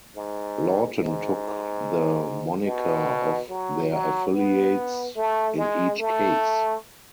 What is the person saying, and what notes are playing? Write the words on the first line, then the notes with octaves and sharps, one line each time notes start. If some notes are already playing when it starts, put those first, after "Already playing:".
Lawton took the moniker of their affiliates in each case.
G#2
G#2
B2
F#3
F#3
B3
A3
G#3
A3